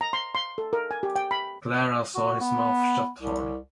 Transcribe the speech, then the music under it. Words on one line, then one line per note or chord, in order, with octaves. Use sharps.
Clara saw his mouth shut hard.
A#5
C6
C6
A4
A#4
G#5
G4
G5
B5
F#4
B3
C2